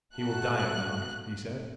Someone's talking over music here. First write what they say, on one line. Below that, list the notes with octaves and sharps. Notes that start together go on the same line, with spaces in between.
"He will die at night," he said.
A3 F#4 A4 F#6